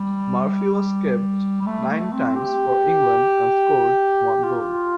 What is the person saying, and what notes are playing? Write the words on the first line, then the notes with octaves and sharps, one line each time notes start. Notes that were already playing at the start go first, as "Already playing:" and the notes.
Murphy was capped nine times for England and scored one goal.
Already playing: G3
G3
A3
A3
C4
G4
F4